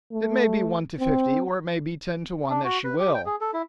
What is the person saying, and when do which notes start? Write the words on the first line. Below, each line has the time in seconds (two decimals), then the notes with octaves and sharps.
It may be one to fifty, or it may be ten to one that she will.
0.12 A3
1.00 C4
2.50 D4
2.64 F#4
2.84 B4
2.99 G4
3.14 G5
3.26 G#4
3.41 A4
3.54 E4